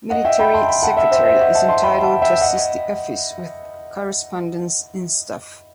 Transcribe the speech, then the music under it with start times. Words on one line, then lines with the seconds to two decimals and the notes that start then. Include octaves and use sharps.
Military Secretary is entitled to assist the office with correspondence in staff.
0.10 D#5 F#5
0.25 E5 G5
0.39 G5 B5
0.54 A5 C6
0.68 G5 B5
0.83 F#5 A5
0.97 E5 G5
1.11 C5 E5
1.25 C5 E5
1.41 D#5 F#5
1.54 F#5 A5
1.68 A5 C6
1.83 G5 B5
2.03 F#5 A5
2.22 E5 G5
2.41 D#5 F#5